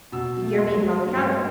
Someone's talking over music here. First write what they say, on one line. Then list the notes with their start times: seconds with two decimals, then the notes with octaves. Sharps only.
"You're being held accountable."
0.12 B2 E6
0.43 A3
0.58 C6
0.74 F#3 C6
1.05 G2